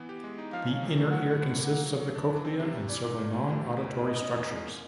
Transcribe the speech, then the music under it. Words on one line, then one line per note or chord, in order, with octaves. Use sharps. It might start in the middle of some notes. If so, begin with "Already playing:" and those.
The inner ear consists of the cochlea and several non-auditory structures.
Already playing: E3 B3
G4
G#3
D#4
F3 F5
C#4
C3
A3
F#3 F#5
A2
A2
A#3
A#3
F#3
F#3
D4
E3
C4
C3
G3
E3 D5
G#2
G#2
A3
C3
E2
E2
D#3
B2 D#5
C#4
E2
G#3
A#3